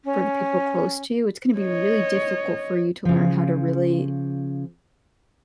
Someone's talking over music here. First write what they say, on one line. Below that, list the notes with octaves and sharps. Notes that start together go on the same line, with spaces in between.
for the people close to you, it's gonna be really difficult for you to learn how to really
C#4
C#5 D#5
C#3 F3